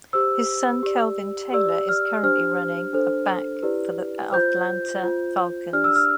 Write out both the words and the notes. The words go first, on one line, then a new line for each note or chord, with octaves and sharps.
His son, Kelvin Taylor, is currently a running back for the Atlanta Falcons.
G4 C5 E6
G4 D5
G4 D5 E6
F6
D4 G4 C5 F6
D4 A4 C5
E4 G4 B4 D5
F4 C5 G6
F4 C5
D4 G4 D5 F6
E6
F6